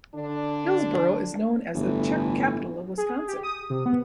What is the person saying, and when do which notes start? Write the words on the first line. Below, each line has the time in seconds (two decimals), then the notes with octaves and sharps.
Hillsboro is known as the Czech Capital of Wisconsin.
0.15 D3 D4
1.75 G1 A2 E3
2.97 G#4
3.28 G4
3.43 D#6
3.70 C3
3.86 B3